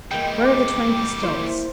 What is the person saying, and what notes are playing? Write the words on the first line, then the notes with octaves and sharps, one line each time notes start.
"Where are the twenty pistoles?"
E3 G3 G#3 A#3 G5
D6
A#3 E4 C5